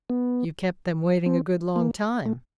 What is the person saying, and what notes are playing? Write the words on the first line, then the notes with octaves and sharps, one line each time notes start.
'You kept them waiting a good long time!'
B3
C4
A#3
A3